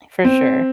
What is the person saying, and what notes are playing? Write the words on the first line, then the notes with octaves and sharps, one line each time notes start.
For sure.
C4